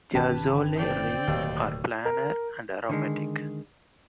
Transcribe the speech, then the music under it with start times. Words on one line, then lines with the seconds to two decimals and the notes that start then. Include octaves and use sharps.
Thiazole rings are planar and aromatic.
0.15 G1 D#3 C#4 G4 B4 A5
0.75 C4 D5 G5
1.28 D1 D#2 B2
2.05 A#4
2.89 D3 D#3 G#3